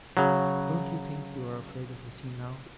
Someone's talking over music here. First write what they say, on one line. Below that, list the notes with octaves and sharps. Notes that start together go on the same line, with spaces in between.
'Don't you think you are afraid of the sea, now?'
C#3 F#3